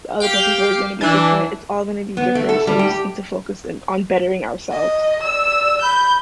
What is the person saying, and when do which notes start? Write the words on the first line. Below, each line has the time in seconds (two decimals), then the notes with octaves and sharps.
the other person's story is gonna be different, it's all gonna be different, so we just need to focus in on bettering ourselves.
0.20 G4 F5 G5
1.01 E3 D4
2.17 B3
2.35 A3
2.49 A4
2.67 G3
2.79 G4
4.71 D#5
5.23 D5 E6
5.82 B5 G6